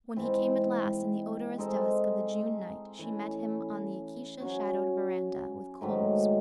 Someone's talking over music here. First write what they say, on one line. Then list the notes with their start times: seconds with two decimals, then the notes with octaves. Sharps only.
When he came at last in the odorous dusk of the June night she met him on the acacia-shadowed verandah with cold sweetness.
0.16 G#2 E3 C4
1.58 G#3 D#4 A4 C5
2.99 E3 A3 C#4
4.40 F#3 C#4 F#4 C#5
5.81 G#2 D#3 F#3 A3